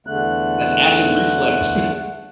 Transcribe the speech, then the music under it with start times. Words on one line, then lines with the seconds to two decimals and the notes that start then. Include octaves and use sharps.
That's acid reflex.
0.07 E2 D3 A3 F#6